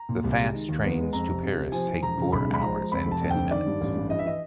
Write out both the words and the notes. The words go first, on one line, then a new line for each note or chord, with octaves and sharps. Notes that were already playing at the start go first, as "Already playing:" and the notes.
The fast trains to Paris take four hours and ten minutes.
Already playing: A#5
A#2
C2
G#3
D#3
D#2
B3
G#3
F2 A#5
C3
C3
C3
F3 G#5
F3
E1 A#5
C#3
B1 B5
G#3
B5
F3 A#5
G#3
F2 B5
F1
A5
F2
D3 G5
D#3 D5
G2
A1
G2
E3 D#5
E5
E3 D#5